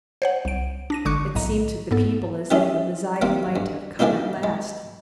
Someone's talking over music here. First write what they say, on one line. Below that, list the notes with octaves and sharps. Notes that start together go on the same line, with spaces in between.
It seemed to the people as if the Messiah might have come at last.
C5 C#5 F#5
C2 D7
D4 A#6 D#7
G#1 D3 C#6 D6 F#6 C#7
B1 A2 D#5 A#5
G#2 B3 A4
D#3 G3 C#4 D#4 E4
G3 A#3 C4
G2
D#3 E3 A3 A#3 D4 D#4
G#3